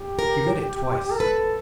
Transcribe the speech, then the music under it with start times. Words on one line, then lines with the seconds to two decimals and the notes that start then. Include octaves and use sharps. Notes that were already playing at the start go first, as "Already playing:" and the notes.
He read it twice.
Already playing: G4
0.19 A#4
1.12 A#4
1.19 A4 B4